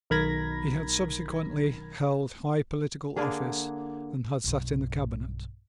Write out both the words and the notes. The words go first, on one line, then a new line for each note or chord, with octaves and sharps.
He had subsequently held high political office, and had sate in the Cabinet.
B1 D#3 A#4 B5 G#6 A#6
D3 A#3 D4 G#4
B1 G2